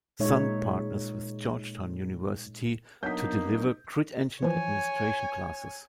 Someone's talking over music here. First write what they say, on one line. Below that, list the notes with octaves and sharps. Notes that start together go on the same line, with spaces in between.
Sun partners with Georgetown University to deliver Grid Engine administration classes.
A#2 G#3 D#4 C#5 E5
F#3 A#3 B3 D4 D#4 G6 B6
E3 F3 C#5 G#5